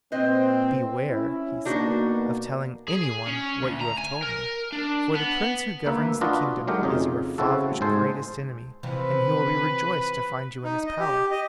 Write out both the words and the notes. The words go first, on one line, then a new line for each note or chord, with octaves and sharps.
"Beware," he said, "of telling any one what you have told me, for the prince who governs the kingdom is your father's greatest enemy, and he will be rejoiced to find you in his power."
A#2 C4 B4 C5 D#5
C#4 E4
B2 A#3 D4 D#4 F#4
G#4
C#4
D2
A#5
G#5
A#4
D4
B3
D2 A#3 B4 E5
D4 F4 F#4 B4 D#5
F#3 G#3 A3 D#4 G4 A#4
F2 C#3 D#4
C#3 C4 E4 F#4 A4
G#2 A4 C5 G#5 A5
C3 E3 F3 B4
D#4
D#5
G4
D#5